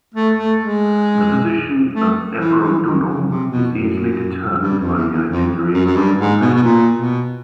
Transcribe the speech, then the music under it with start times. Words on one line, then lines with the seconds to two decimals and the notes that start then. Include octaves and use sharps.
The position of Ebrodunum is easily determined by the itineraries and the name.
0.15 A3
0.37 A3
0.59 G#3
1.94 A3
2.38 E3
2.61 E3
2.83 D#3
3.05 C#3
3.28 C3
3.50 B2
3.72 F#2
4.62 G2
4.79 F2
4.95 E2
5.12 E2
5.29 F2
5.74 F#2
5.85 F#2
5.96 G2
6.19 G#2
6.41 B2
6.54 B2
6.63 A#2
6.97 B2